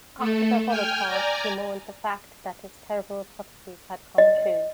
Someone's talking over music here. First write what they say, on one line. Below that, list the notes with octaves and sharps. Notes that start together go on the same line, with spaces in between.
After the Holocaust, he mourned the fact that his terrible prophecies had come true.
A3 A4
G5 G#5 F6 G6
D5 G#5 A#5
D#5